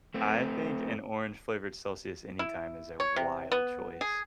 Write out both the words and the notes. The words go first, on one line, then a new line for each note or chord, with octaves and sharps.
I think an orange-flavored Celsius anytime is a wild choice.
A3 C4
E4
C#5
C3
B3
G#4